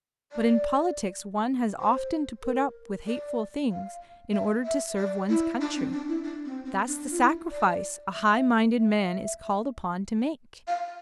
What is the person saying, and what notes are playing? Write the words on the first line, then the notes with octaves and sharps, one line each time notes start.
"But in politics one has often to put up with hateful things in order to serve one's country. That's the sacrifice a high-minded man is called upon to make."
D5
C5
A#4
D5
F5
E5
E5
D5
E4
D4
C4
D4
E4
D4
C4
C4
D4
F4
E4
D5
E5
E5
F5